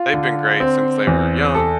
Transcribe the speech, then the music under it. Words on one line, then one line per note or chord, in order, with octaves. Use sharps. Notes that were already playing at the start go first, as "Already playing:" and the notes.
they've been great since they were young
Already playing: F4
D3
C4
E2
A4